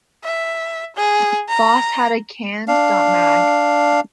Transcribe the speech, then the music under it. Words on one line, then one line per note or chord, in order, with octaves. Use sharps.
Foss has a cand.mag.
E5
G#4
A#5
D4 F5